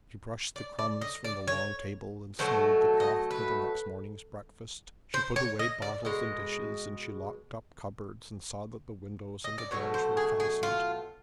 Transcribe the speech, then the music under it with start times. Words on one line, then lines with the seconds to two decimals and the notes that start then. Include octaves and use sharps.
She brushed the crumbs from the long table, and smoothed the cloth for the next morning's breakfast; she put away bottles and dishes, and she locked up cupboards, and saw that the windows and the doors were fastened.
0.56 D5
0.79 D5
1.01 D#5
1.24 D5
1.48 C#5
2.39 B2 F#3 A3 C5
3.00 D#5
3.31 B4
5.14 C5
5.36 C#5
5.59 D#5
5.82 D5
6.05 B2 G#3 D#5
9.44 D#5
9.58 D5
9.71 B2 F#3 A3 C#5
9.94 C5
10.17 G#4
10.40 G#4
10.63 F4